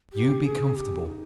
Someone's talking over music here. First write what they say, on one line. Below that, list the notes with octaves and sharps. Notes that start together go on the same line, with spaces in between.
You be comfortable.
G4
G#4
G4
D#4